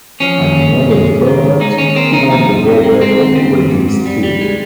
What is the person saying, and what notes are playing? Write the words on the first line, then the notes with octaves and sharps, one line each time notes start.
At the end of the Tournament he won the gold medal with his team.
F3 C#4
D#2
C#3
D#2
G#3
G#2
D#3
G#2
G#3 D#4
D#2 C#4
D#3 C4
D#2 D#4
F3 D#4
C#2
C3
G#3
G#3 C4
D#2
C#3
D#2
G#2
G#2
G3
G3
G#3